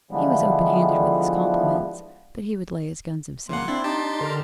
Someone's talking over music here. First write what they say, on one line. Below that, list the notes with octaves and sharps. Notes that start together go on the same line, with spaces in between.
He was open-handed with his compliments, but he would lay his guns himself.
D3 E3 F3 G3 G#3 B3
C#3 A#3 F#5 C6
C4 D4 E4
D#4 G4 A5
D3 A#4